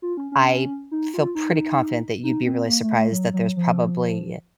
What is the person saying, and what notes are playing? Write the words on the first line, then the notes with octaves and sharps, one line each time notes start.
I feel pretty confident that you'd be really surprised that there's probably
F4
C#4
C#4
D#4
F4
D#4
D#4
C4
A#3
A3
A3
F#3
F#3
F3